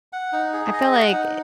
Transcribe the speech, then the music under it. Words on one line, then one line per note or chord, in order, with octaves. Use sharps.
I feel, like, eh
F#5
D#4
G#4
D#5
F#5
D#4